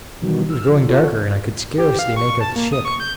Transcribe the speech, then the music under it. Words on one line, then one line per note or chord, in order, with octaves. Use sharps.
It was growing darker, and I could scarcely make out the ship.
B2 D#3 E3 F#3 G3
E6 F6
F3
F4 A4 C#5 F#5
G4
F5
C#6
A5
A#3
D#6
C#6
G6